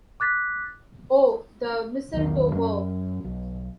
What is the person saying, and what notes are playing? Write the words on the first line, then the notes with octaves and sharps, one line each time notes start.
Oh, the mistletoe bough!
D6 F#6 A6 B6
B1 E2 D#3
F#2 C#4
B1